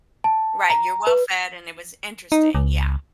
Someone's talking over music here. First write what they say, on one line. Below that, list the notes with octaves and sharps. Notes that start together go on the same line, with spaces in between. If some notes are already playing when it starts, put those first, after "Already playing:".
Right, you're well fed, and it was interesting. Yeah.
A5
A#5
B4
D#4
C#2